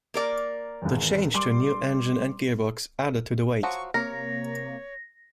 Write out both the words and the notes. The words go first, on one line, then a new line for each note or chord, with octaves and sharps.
The change to a new engine and gearbox added to the weight.
A#3 A#4 D5
G#1 E2
G3 C6 D6
F3 F#3 F#4 C#6
C3 A#3 A#4 C#5 A#6